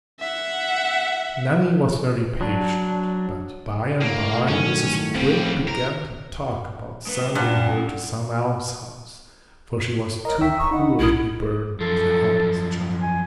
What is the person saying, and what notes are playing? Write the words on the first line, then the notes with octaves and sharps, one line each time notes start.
Nanny was very patient; but, by and by, Mrs. Quinn began to talk about sending her to some almshouse, for she was too poor to be burdened with a helpless child.
E5 F#5
F#3 D4
A2 A#3
G2 D#3 F#3 C#4
D#2 G3 C4
A#4
G#3 B4
G4
G2 A#2 C#4 F#5
A#4 C#5 D#5 A#5
D2 E5 G5 C#6 E6 B6
A#5 C#6 D#6
D#4 D#5 F#5 B5
B1 A2 E4 A#4 D#6
F#2 F3 A4
G#5